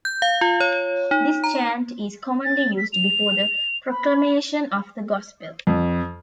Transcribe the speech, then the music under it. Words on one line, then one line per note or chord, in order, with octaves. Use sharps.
This chant is commonly used before the proclamation of the Gospel.
G6
F5
F4
C#5
D#4
A#5
A6
B6
F7
B5
F2